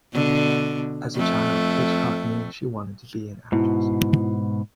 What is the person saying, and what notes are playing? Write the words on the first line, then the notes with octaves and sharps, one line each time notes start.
As a child, Hitchcock knew she wanted to be an actress.
B2 D3
F2 A3
G#2 B2 E4